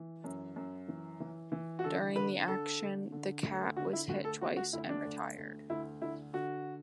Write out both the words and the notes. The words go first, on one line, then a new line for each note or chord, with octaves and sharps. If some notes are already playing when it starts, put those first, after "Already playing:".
During the action, the 'Cat' was hit twice and retired.
Already playing: E3
F#2
F#2
E3
E3
E3
F#4
D3 A4
D3 B4
D3 A4
D3
D3
D2
D3 F#4
E4
D2 F#4
A4
D2 F#4
F#4
D2 E4
D4
D2
D2
D2 E4
D3 E4
D3 F#4